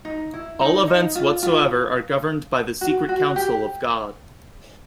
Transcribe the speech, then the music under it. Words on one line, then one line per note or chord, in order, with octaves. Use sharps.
All events whatsoever are governed by the secret counsel of God.
D#4
E4
D#4
D#4
F4
F4
F#4
F#4
G4